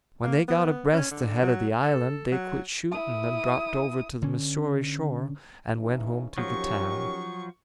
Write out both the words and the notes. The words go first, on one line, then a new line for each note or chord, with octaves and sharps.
When they got abreast the head of the island they quit shooting and dropped over to the Missouri shore and went home to the town.
A#3
B3
C#4
D3
F#3
A4
F#3
E4 D#6
D3 C#4
C#3 E3 D#4
D#3 F3 F#3 C#4 G4 C#6